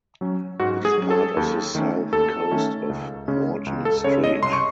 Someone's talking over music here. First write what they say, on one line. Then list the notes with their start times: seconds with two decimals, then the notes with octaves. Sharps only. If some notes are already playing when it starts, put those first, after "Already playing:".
It is part of the south coast of Morton Strait.
0.21 F#3 C#4
0.60 G#2 F#4
0.85 G#4
0.98 F#3 C#4
1.10 A4
1.37 D#2
1.75 D#3 A3 C#4
2.13 D#2 A4
2.51 D#3 A3 C#4
2.89 C#2
3.28 C#3 G#3 C#4
3.66 C#2
3.85 A4
4.04 C#3 G#3 C#4 C#5
4.24 D#5
4.42 C2 C6
4.53 C#6